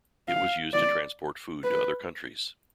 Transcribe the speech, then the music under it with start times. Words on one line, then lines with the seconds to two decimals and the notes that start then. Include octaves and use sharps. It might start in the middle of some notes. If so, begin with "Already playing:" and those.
It was used to transport food to other countries.
0.28 F5
0.73 D5
1.64 B4